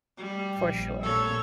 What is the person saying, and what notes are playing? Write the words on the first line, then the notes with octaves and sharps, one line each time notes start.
For sure.
G3
A#1
A#2 A4 C#5 E6